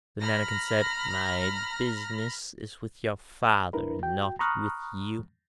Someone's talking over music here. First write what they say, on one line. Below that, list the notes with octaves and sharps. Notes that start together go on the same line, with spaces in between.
The Mannikin said, 'My business is with your father, and not with you.'
A#5 B5 F6 A#6
D4 E4 A#4 B4
F#4 G5
A#5 B5 C#6 D#6 F6 F#6